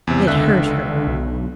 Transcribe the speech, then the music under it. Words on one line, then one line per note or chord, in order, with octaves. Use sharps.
It hurt her.
E2 C3
C#2 D3 E5 F#6
D3
B1